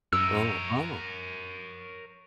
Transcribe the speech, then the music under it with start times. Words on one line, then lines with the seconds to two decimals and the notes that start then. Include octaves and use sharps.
Oh. Oh.
0.13 F#2 A#4 C#5 E6